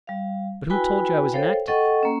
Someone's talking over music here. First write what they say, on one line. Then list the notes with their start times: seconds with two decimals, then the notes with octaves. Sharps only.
"But who told you I was inactive?"
0.07 G3 F5
0.70 E4 F#4 B4 G5 G#5 B5
1.32 A4 A#4 C5 C#5 F5 G5
1.67 A4 D#5 F#5 G5 C#6
2.03 A#3 C#4